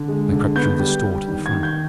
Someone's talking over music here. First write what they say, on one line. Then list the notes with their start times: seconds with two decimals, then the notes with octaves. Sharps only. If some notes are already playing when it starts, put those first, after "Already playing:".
I crept through the store to the front.
Already playing: D3
0.08 G#3
0.32 D3
0.55 B3 G6
0.80 G3
1.04 G3
1.28 D#3
1.46 G#6
1.52 D#3
1.63 G6